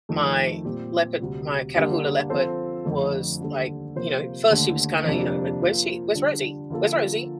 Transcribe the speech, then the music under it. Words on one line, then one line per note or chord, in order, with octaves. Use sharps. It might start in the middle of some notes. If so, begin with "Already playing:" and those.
my leopard my Catahoula Leopard was, like, you know, first, she was kinda, you know, like, "Where's she? Where's Rosie? Where's Rosie?
F2 D#3 A3
A#2 G3 C4 G4
D2 C3 G3
D3 G3 A#3 D4 G4
F3 C4 F4 A4 C5
F2 D3 A3
D#2 D3 G3 D4 A4
C3 F3 A#3 F4 C5
D#2 D3 A3
F2 C3 G3 A#3 D4
F3 A#3 F4
D3 G3 D4
D3 F3 A#3 F4 A4